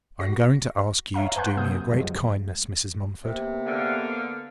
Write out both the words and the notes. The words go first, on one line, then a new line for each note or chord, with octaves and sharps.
'I am going to ask you to do me a great kindness, Mrs. Mumford.'
F#4 A#6
C#5 E5 F5 A#5
B4 F#5 G#5 C6 F#6 G6
C3 F#3 A#3 D#6 G6
F#2 C#3 F3 F#3 G#3
C3 A#3 B3
G#2 D3 F5